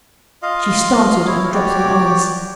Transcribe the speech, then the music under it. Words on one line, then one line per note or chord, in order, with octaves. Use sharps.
She started and dropped her eyes.
F4 D#5 F5
E4 C#5
F#4 G4 C#5 D5